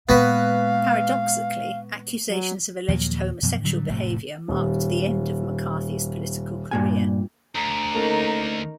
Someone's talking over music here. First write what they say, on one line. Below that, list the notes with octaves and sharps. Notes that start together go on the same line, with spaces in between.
Paradoxically, accusations of alleged homosexual behaviour marked the end of McCarthy's political career.
A#2 G#3 B3 F#4 B4 F5
F#3
D#2 A#2 F3 F#3
F#2 B2 F3
A2 D3 F#3 G3
F1 A2 C3 F3
D#1
G2 A#2 G#5
D2 A#5
A3 A#3 C#4 D#4 A#4